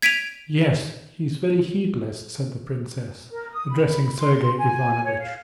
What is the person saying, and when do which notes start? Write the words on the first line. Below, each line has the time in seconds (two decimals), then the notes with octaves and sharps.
"Yes, he's very heedless," said the princess, addressing Sergey Ivanovitch.
0.02 G#6 B6 D7 D#7 F7
3.30 A#4
3.51 D#6
3.68 B5
4.17 C6
4.58 G#5
5.03 C#5
5.19 F5